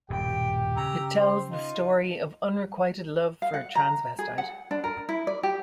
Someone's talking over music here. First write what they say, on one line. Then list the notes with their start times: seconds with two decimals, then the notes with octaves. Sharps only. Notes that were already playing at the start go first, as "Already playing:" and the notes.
It tells the story of unrequited love for a transvestite.
0.10 D#1 G2 B2 G4 G5
0.77 C#3 A#5 E6
1.18 C5
1.51 D#4 F4
3.42 F5
3.54 F#5
3.75 A#5
4.19 G#4
4.38 F#5
4.71 D4
4.84 A#4
5.09 E4
5.27 D5
5.43 G4